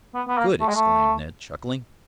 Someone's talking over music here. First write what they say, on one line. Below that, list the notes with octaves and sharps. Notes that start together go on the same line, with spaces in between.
"Good!" exclaimed Ned, chuckling.
B3
B3
A#3
A3
G#3
A3